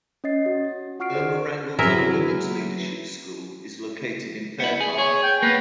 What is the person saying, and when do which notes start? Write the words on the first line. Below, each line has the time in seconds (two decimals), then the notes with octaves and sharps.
Irma Rangel Young Women's Leadership School is located in Fair Park.
0.24 C#4 C#5 D#5 A6 C7
0.46 F#4
0.99 F4 F#5 C#6 F6 C7 D7
1.15 G#4 C5 D5
1.78 E3 F#3 G#4 A#4 E5
4.60 B3 E4
4.80 G#4
4.98 G#4 C#5
5.23 G5
5.43 A#3 B3 B4